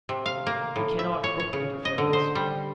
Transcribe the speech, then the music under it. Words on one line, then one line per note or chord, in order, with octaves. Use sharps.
He cannot brook interference.
C3
F5
A#3
A2
E5
C#5
C#5
C#3
D#5
D3
C5
G3